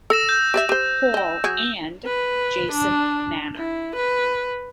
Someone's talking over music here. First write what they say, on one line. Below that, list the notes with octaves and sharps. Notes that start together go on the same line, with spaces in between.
Hall" and "Jason Manor.
A4 E6 A#6 E7
G6
G4 D5 E5
G4 C5
D#5 G5
F#3 G#4
B4
D4
E4
B4